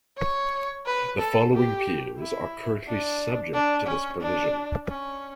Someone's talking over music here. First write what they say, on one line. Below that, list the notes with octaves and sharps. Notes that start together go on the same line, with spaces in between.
The following peers are currently subject to this provision.
C#5
B4
A4
G4
E4
D4
D4
C#4
D4
C#4